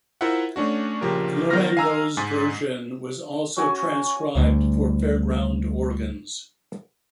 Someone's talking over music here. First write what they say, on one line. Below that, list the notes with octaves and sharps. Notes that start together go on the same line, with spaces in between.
Laurendeau's version was also transcribed for fairground organs.
E4 F4 A#4 C5 E5 F#5
A3 C#4 D4 F#4
A#1 C#3 F3 G4 A#4
D#3 F#3 B3 F4 F6 A#6
F5 G#5 A#5 E6
G#2 G#5 A6
C#4 F#4 G#5
D2 G3